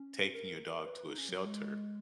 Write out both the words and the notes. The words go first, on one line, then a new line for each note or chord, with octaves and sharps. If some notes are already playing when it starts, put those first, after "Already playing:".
taking your dog to a shelter
Already playing: C#4
A#4
A#4
A#4
B4
B4
D#4
C#4
F#3
G#3